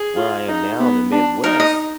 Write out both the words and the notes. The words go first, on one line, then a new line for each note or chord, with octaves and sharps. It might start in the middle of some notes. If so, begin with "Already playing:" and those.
where I am now in the Midwest,
Already playing: G#4
F4
D#4
B3
D4
D#4 A#4
D#5